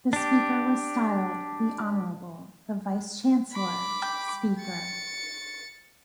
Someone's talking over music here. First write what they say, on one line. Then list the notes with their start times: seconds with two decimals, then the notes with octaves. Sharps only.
The speaker was styled The Honourable, the Vice-Chancellor, Speaker.
0.13 D4 G4
3.52 B5 D6
4.60 A6 C#7